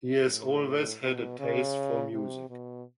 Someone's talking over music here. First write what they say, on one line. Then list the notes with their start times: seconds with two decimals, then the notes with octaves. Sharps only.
He has always had a taste for music.
0.29 A2
1.02 B2
1.39 C#3
2.13 C3
2.50 B2